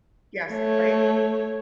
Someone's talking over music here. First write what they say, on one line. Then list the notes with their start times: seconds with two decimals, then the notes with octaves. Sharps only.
Yes, right?
0.53 A3 C#5